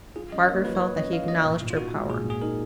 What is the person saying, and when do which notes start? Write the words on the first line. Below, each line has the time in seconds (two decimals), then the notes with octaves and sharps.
Margaret felt that he acknowledged her power.
0.16 F4 G#4
0.32 F#2 D#5
0.48 A#3 C#5
0.65 F3 B4
0.75 C#5
0.80 F4 B4
0.97 F#2 D#5
1.13 A#3 F5
1.28 F3 D#5
1.45 A#2
1.61 A#2
1.70 F4
1.77 D#4 F#4
1.93 G#3
2.10 A#2 G#4
2.25 A#2
2.30 G#4
2.42 D#4 A#4